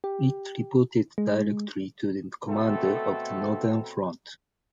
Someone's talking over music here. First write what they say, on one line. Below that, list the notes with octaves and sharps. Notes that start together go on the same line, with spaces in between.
It reported directly to the commander of the Northern Front.
G4
G#3
B2 A3 C4 A4